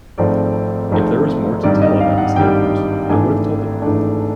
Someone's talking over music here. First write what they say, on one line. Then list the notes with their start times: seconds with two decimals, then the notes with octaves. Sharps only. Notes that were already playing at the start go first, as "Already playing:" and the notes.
If there was more to tell about these characters I would have told it.
0.18 G#1 G#2 F3 A3 C4 D5
0.91 G#1 G#2 F3 A3 C4
1.63 G#1 G2 D#3 G3 D5
1.81 D#5
2.00 F5
2.18 F#5
2.36 G#1 G2 D#3 G3 G5
3.09 G#1 G#2 E3 A3 D4 G#5
3.82 G#1 G#2 E3 A3 D4